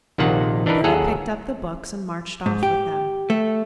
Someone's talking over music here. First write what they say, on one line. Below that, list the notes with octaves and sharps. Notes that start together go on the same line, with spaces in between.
Sara picked up the books and marched off with them.
A#1 C3 D#3 A#3 F4 F#5
E3 D4 D#4 A#4 B4
D#2 F#3 G#4 A4 F#5 A#5
G#2
G4
A3